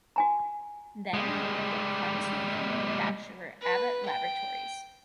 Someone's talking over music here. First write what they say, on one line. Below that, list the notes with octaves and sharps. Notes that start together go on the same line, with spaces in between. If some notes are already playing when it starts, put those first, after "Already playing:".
Then he worked at the pharmaceutical manufacturer Abbott Laboratories.
F#4 G#5 A#5
G3 G#3
B4
G5